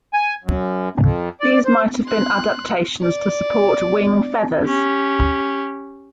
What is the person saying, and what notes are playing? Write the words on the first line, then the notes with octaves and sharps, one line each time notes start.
These might have been adaptations to support wing feathers.
G#5
F#2
F2
D5
C5
C6 F#6
D5
C#4 G4